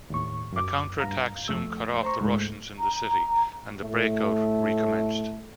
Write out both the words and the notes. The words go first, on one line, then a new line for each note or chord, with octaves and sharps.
A counterattack soon cut off the Russians in the city, and the breakout recommenced.
D#2 A2 C#6
F#2 D6
G2 F5 A#5
F2 A3 E6
C5 A#5 C#6
C#2 G#2 G#3 A3
A#5
A2 A3